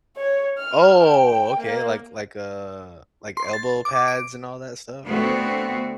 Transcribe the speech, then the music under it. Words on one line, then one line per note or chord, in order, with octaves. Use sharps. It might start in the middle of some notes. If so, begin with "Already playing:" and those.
Oh! Okay, like like, uh like elbow pads, and all that stuff, and everything?
C#5
F6
G5
A#3
C6
A6
D6
D7
D3 A3 B3 C4 F#4